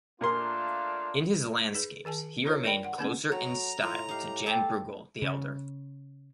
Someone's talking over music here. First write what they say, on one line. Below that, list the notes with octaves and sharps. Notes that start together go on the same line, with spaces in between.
In his landscapes he remained closer in style to Jan Brueghel the Elder.
A#2 A3 A#3 D4 F4 A#4 C6
D#4 G#4 B4
D#3 G#4 G#5 A5
D4 F4 A#4 C5 C#5
A#4 D5 G5 B5
F#5
D3 A#3 C4 C#4 G#4 B4
F#3 F#4 A4 A#5
A2 F4
D#4 G4 F5
G4 A4 B4 C5
C#3